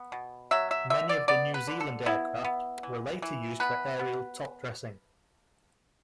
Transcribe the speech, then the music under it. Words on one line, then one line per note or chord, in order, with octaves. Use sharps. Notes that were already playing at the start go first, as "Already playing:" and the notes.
Many of the New Zealand aircraft were later used for aerial topdressing.
Already playing: B3
B2
F#3 E5
E5
D3 E5
D5
B3 D5
B4
D3
A4
B3 E4
B3
E3
E3
B3 B4
B3